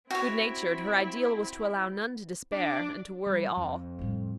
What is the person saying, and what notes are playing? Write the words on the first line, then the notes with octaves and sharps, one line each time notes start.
Good-natured, her ideal was to allow none to despair, and to worry all.
C4 E4 F#4 C#5
D4
G3
F2
A2 G3